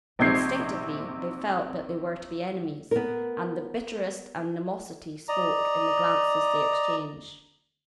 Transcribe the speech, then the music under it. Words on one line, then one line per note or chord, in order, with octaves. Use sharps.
Instinctively, they felt that they were to be enemies; and the bitterest animosity spoke in the glances they exchanged.
A#1 C3 D#4 G6 G#6 C7
B3 A#4
D5 D#5 A#5